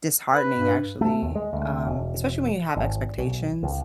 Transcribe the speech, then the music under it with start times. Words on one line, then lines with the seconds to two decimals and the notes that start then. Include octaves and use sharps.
disheartening, actually, um, especially when you have expectations,
0.33 B4
0.57 G2
1.01 A3
1.22 D#2
1.35 G#3
1.53 D2
1.87 E1
2.77 G#1
3.18 B1
3.63 C#2